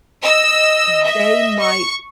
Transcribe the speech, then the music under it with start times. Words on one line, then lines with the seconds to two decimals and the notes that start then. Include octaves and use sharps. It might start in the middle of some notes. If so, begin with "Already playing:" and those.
they might
0.24 D#5 E6
1.05 E5
1.60 C#6